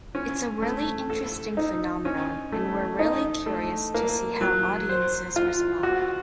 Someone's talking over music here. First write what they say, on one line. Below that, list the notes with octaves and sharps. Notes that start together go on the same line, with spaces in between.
It's a really interesting phenomenon and we're really curious to see how audiences respond.
C#4
A3
A4
D#4
C#4
A3
D#4
A3
A#3
F#3
C5
F4
F#4